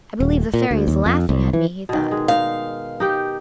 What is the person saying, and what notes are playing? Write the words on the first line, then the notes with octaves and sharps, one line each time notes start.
"I believe the Fairy is laughing at me," he thought.
D#1
A#2
D2
D#2
F2
C2
E3
B2 D#3
G#3
D#4 F5
D#4 G4 G5